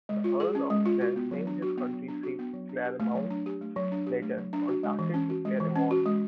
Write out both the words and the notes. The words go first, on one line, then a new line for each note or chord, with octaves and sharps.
The Earl of Clare named his country seat Clare-mount, later contracted to Claremont.
G#3
F4
G#4
C#4
G#3
F4
F#4
B3
F#3
D4
F#4
B3
F#3
D4
F#4
B3
F#3
D4
G4
A3
F#3
D4
G4
A3
F#3
D4
G4
A3
F#3
D4
F#4
G#3
E3
C#4
F#4
G#3
E3
C#4
F#4
G#3